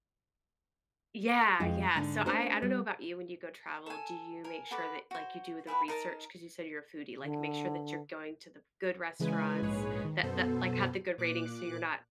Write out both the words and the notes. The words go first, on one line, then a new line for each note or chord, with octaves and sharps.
Yeah, yeah. So, I I don't know about you, when you go travel, do you make sure that, like, you do the research? 'Cause you say you're a foodie, like, make sure that you're going to the good restaurants that that, like, have the good ratings so you're not
F2 G#3 F4
G#2 D3 D4
A3 C#4 D4 A4 A#4 C5
G3
A4 G#5
A#4 G#5
F#4 A4 B4 D6
F#4 C5
E4 G#4 B4 F#5
D#4 A#4 A5
D3
C#3 E3 G#3 B4 G#5
A#1 G#2 G#3 G#4 B4 C#5
D#3
F#2 B2 B3 A4 C5
A#2 D6 F#6